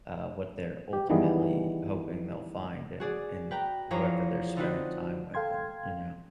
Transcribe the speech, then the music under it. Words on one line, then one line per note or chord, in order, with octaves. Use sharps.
uh, what they're ultimately hoping they'll find, and and whoever they're spending time with and, you know?
G4
D#3 E3 G3 B3 G#4
F#4 G#4 D5
B4 G5 A#5
E2 F3 C#5 A#5
D3 C4 D#4 F4 F#4 B4
A4 F5 G5 C6 G#6